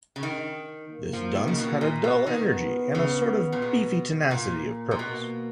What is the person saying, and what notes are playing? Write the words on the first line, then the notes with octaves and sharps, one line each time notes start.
This dunce had a dull energy and a sort of beefy tenacity of purpose.
C#3
D#3
A#3
F3
D#3
C#3
B2
A#2
B2
D#3 B3
C#3
A#2
B2
A#2 A#3
A#2
B2 A#3